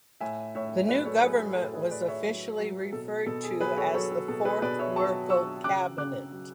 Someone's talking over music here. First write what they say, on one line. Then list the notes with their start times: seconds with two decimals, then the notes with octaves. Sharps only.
The new government was officially referred to as the Fourth Merkel cabinet.
0.20 A2 E5 G#5
0.55 A2 C#5 E5
0.89 F#3 B4 D5
1.05 A4 C#5
1.23 F#3 G#4 B4
1.40 A4
1.57 A2 A4
1.74 G#4 B4
1.91 A2 B4 D5
2.08 C#5 E5
2.25 F#3
2.59 F#3
2.92 B2 A4
3.26 B2 A4
3.44 G#4
3.60 F#3 G#4 B4
3.77 A4 C#5
3.94 F#3 A4 C#5
4.11 A4
4.28 B2 A4
4.45 G#4 B4
4.62 B2 B4 D5
4.79 C#5 E5
4.96 F#3 A5 C#6
5.30 F#3 C#6 E6
5.64 C#3 D6 F#6
5.98 C#3 D6 F#6
6.32 F#3